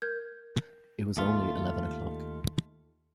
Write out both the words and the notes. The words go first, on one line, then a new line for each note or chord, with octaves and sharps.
It was only eleven o’clock.
A#4 G6 G#6
D#2 A3 F4